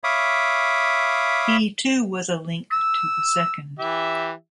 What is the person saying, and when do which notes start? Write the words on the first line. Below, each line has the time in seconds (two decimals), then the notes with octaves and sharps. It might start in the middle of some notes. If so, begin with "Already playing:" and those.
He too was a link to the second.
0.04 C#5 E5 F5 B5 D6 D#6
2.72 E6
3.79 E3 G4 E5